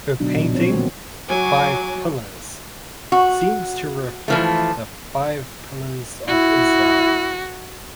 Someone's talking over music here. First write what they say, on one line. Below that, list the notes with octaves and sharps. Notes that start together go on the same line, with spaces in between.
Her painting "Five Pillars" seems to reflect the Five Pillars of Islam.
B2 D3 F#3 D4 D#4
A#2 F#3
F3 C4 C#5
D#3 G3 A#3 B3 F#4
F#3 G#5 D6
F#4
E3 F3 A3
E4 F#4